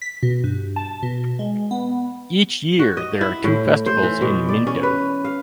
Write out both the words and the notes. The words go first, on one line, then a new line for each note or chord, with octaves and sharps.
Each year there are two festivals in Minto.
B6
B2
G2
A5
B2
G#3
B3
F#4
D#5
E4
A2
C5
E3
B2
D5
C#4
B4
F5